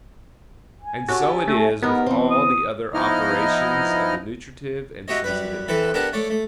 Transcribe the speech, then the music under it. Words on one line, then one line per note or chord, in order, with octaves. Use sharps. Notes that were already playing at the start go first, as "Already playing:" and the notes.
And so it is with all the other operations of the nutritive and sensitive parts.
G#5
C#4 F#4 G4 A4
A3
D#3 B3 G4 A#4
E3 C4
D#6
F3 B3 D#4 E4 D#5 F6
D#4 E4 F#4 G4 C#5 D#5
F#2 G3 B4
E3 C4 A4 B4
B3 D4 G4 A#4 F#5 A5
A3 C#5 D5
A3